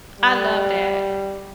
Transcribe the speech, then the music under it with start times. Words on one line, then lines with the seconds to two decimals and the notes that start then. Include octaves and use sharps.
I love that.
0.20 G3